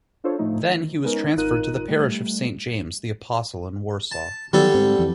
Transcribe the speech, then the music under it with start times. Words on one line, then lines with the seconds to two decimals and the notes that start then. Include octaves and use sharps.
Then he was transferred to the parish of Saint James the Apostle in Warsaw.
0.24 D4 F4 A4 C5 C#5
0.39 A2 F3 A3 D#4
0.60 D#3
1.03 G#3 B3 C#4 D#4 A#4
1.37 G#1 D#4 F4 A#4 F#6 D#7
1.88 G3 A3
4.11 A5
4.53 D3 D#3 F#3 G3 B3 A4
4.74 G#2 C4
4.99 F2 E3